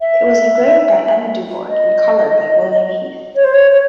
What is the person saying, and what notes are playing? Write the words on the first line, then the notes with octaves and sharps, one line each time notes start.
It was engraved by M Dubourg and coloured by William Heath.
E5
D#5
C#5
C5
C#5
C#5